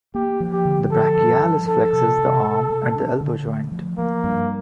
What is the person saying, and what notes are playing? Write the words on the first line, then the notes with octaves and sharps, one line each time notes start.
The brachialis flexes the arm at the elbow joint.
A#3 G4
F3
G4
D3
F3 A4
G2
F3
D4 A4
C3
C3
C3
C3
D4
D3
A3
F3
F3 A#3
G2